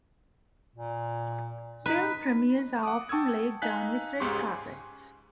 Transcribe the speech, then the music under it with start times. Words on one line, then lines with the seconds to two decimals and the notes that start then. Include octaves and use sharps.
Film premieres are often laid down with red carpets.
0.76 A#2
1.86 D#4 B4
2.83 F#5 D6 D#6
3.09 G5 A5 C#6 D#6 E6 G#6
3.62 D#4 F5 G#5 F#6 B6
4.20 C#2 G#2 C#3 G4 C6 C#6
4.40 G#5